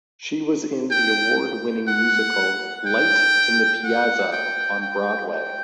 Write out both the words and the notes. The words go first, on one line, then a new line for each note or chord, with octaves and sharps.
She was in the award-winning musical "Light in the Piazza" on Broadway.
G5
F#5
G5
F#5
G5
G5
G5